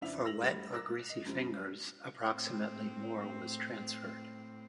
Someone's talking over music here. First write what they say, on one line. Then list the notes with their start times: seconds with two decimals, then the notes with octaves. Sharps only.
For wet or greasy fingers approximately more was transferred.
0.01 F2 C#3 D4 E4 E5 F7
0.25 E6 A#6 F7 F#7
0.42 F#2 F#3 G3 A3
0.73 A#4 D6 E6 F#6 A#6
1.09 D#5
1.25 F#2 C#3 F3 G3
2.28 A2 C4